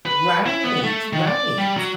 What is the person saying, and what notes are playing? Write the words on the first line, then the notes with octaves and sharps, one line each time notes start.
Right, right.
B4
E4
B3
A3
D#3
D5
G3
F#3